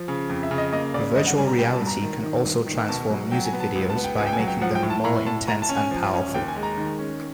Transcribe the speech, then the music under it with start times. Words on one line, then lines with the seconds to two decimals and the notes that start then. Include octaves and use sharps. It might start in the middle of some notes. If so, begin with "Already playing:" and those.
Virtual reality can also transform music videos by making them more intense and powerful.
Already playing: F3
0.08 C#3
0.29 F2
0.43 E5
0.51 C#3
0.58 D#5
0.73 A#3 D#5
0.94 C#3 D5
1.15 G2 D#5
1.26 F#5
1.38 G3 G#5
1.48 A#5
1.58 G3 G5
1.73 A5
1.81 G2
1.87 A#5
2.02 D#3
2.23 D#3
2.45 G2
2.66 D#3
2.89 B2 A5
3.10 F#3
3.32 F#3 G5
3.46 G#5
3.53 B3
3.60 A5
3.76 C#2
3.90 A5
3.96 B3
4.04 G5
4.18 C#2 G#5
4.27 G5
4.33 G#5
4.40 F#3
4.48 G5
4.61 F3 F#5
4.75 G5
4.83 A2
4.90 A5
5.04 A2 A#5
5.26 A2 A5
5.47 A2 A#5
5.62 A5
5.69 C#4
5.76 G#5
5.91 F3
6.13 C#4
6.34 D#2 G5
6.48 G#5
6.56 G#3
6.63 A#5
6.78 D#3
6.99 C#4